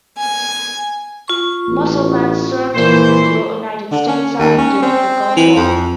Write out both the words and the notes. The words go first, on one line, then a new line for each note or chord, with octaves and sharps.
Musselman served in the United States Army during the Gulf War.
G#5
F4 C#6
A1
A#2 E3 C5
D3
C#4
D#2
C#4
C4
E3
F2